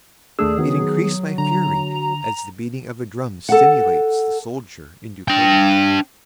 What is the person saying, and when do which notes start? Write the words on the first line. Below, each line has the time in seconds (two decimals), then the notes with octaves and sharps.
It increased my fury, as the beating of a drum stimulates the soldier into courage.
0.39 D#2 A3 D4 G#4 E6
0.58 D#3 F#3 B3
1.38 D3 A#5
3.49 A4 F#5
5.28 D4 G5